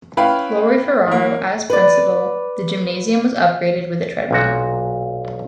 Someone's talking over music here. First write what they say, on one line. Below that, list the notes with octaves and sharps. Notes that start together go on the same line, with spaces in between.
Lawrie Ferrao, as principal, the gymnasium was upgraded with a treadmill.
C#4 E4 B4 F5 G5 B5
E3 A#3
B4 D5
B1 A#2 F#4